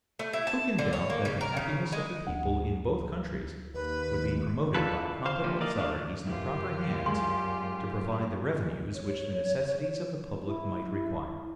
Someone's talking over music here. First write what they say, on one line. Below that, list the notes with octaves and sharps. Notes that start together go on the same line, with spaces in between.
Who can doubt, that the happiness of the people in both countries would be promoted by competent authorities in the proper hands, to provide the revenues which the necessities of the public might require?
A3
E4
A5
D3
C#5
A#3
C#3
A#4
C#3
G#3
D2
D#2 B4
E2 D3 E3 F4 A4 B4
C5 F5
A#2 D3 E3 F3 G3 A#3
A#3 A#4 D5 D#5 F5
A3 D4 F5
F#2 E4 F4 G4 B4
E2 G#3 D5 C6
C#5
E4